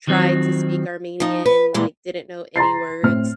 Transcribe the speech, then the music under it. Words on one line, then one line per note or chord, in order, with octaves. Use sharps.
tried to speak Armenian, like didn't know any words,"
D#3 F3 F#3 C4
F3 D#4
B4
A#2 E3 G3 G#3
A#5 C6 A6 C7
A2 C4 F6